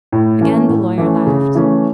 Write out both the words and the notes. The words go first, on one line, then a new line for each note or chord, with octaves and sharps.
Again the lawyer laughed.
A2
E3 A3 C#4
A2
E3 A3 C#4
C#3
E3 A3 C#4